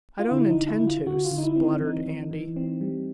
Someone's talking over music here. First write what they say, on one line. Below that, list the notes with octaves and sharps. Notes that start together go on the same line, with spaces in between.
"I don't intend to," spluttered Andy.
F4
D3 E4
D#4
D3
E4
D3
F4
D3 F#4
F4
D3
D#4
E4
C4
D#4
E3 D#4
E3
E3
C4
G3